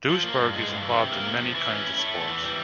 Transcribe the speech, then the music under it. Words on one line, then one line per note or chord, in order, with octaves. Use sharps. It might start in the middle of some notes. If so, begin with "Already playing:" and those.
Duisburg is involved in many kinds of sports.
F3
A#3
G2
G#3
G2
E3
C3
A#3
C3
F3
E3
C#4
E4
A3
E2
E3
G3